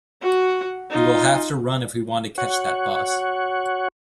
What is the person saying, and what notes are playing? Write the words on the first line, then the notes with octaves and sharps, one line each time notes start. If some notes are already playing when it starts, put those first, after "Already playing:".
We will have to run if we want to catch that bus.
F#4 F#5
D#4 F4
F#4 C#5 F#5